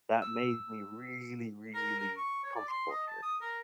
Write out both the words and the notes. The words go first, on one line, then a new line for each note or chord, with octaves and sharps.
that made me really, really comfortable here.
E6
A#4
A#4
C#6
C#5
D5
C6
D#5
A5
D#6
A#4